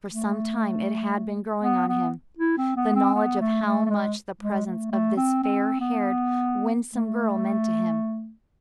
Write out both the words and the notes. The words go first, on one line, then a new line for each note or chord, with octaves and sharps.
For some time it had been growing on him--the knowledge of how much the presence of this fair-haired, winsome girl meant to him.
A3
B3
B3
E4
C4
B3
C4
B3
A3
A3
A3
G#3
G#3
A3
A3
C4
C4
B3
A3